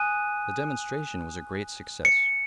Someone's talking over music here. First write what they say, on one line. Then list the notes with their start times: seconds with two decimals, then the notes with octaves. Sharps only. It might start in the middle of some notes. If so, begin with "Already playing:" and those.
The demonstration was a great success.
Already playing: G#5 D#6 F#6 D#7
2.05 C#7